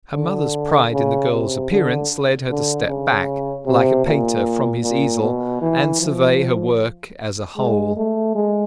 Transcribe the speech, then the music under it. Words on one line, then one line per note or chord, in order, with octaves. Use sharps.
Her mother's pride in the girl's appearance led her to step back, like a painter from his easel, and survey her work as a whole.
D3
C#3
C3
D3
D3
C#3
C3
A#2
A#2
B2
E3
F3
G#3
A3
G#3